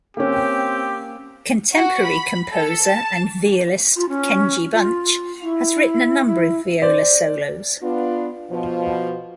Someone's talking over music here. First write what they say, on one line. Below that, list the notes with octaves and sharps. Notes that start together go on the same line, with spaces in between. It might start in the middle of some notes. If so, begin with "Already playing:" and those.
Contemporary composer and violist Kenji Bunch has written a number of viola solos.
A#3 C4 C#4 G4
F#4
B5
A4
A5
F4
C#4
F4
E4
E4
C5 D5
B3 D4 F4
B2 F3